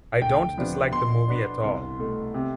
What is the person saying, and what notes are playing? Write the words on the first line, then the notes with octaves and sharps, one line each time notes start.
I don't dislike the movie at all.
D2 G5
C3 F3 B3 D4
B2 C6
B3 D4
C2
B2 A3
C3